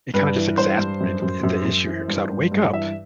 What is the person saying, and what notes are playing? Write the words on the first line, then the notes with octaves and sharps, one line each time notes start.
it kinda just exacerbated the the issue here because I would wake up
G2 B4
E3
G2 C5
G2
F#2
F#2
F#2
F#2
E3
G2
G2
G2
E3 E5